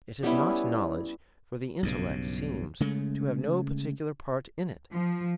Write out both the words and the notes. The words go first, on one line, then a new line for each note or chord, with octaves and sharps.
It is not knowledge, for the intellect seems to have no particular part in it.
G3 B3 C#4 E4
B1 G2 C#3
C#3 G#3 A3
F3